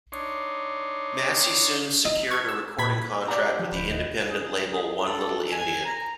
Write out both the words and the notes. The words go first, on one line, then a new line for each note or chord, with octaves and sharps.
Massey soon secured a recording contract with the independent label One Little Indian.
D4 D#4 C#5 C6
D#4
C#6 G#6
E6
A#2 B5 G#6 B6
G4 D5 F5 F#5 A#5 D6
F3
D1 F#4 B5 G6
D#2 B4 D#5
G#4
G#4
A4
G#5
A#5